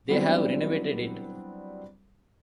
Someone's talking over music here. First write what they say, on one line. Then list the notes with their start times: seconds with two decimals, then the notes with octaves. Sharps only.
They have renovated it.
0.09 F#3 G3 B3 C4 D4 E4